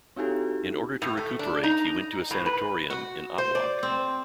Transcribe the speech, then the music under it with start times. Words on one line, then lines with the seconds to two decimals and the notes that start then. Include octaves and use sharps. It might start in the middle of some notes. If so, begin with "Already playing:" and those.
In order to recuperate, he went to a sanatorium in Otwock.
0.16 C4 D#4 E4 F#4 G4 A4
1.02 A2
1.17 A3
1.39 D4
1.63 D#4
2.31 A2
2.46 B4
2.90 F#4
3.38 C5
3.55 D5
3.83 C4